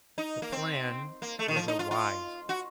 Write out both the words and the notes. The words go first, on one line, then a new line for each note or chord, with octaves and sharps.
The plan was a wise one.
D#4
A#3
C4
A#3
A3
D#3
F3
D#4
F4
F4
F#4